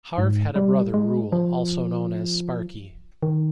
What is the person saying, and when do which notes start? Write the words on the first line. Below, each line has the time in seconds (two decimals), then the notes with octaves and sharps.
Harve had a brother, Ruel, also known as "Sparkie".
0.18 G#2
0.56 G3
0.94 G#3
1.32 F3
3.23 D#3